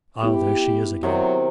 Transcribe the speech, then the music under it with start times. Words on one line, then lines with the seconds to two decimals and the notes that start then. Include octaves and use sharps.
Ah, there she is again.'
0.23 B3 E4 G4
1.03 C3 D#3 F#3 C5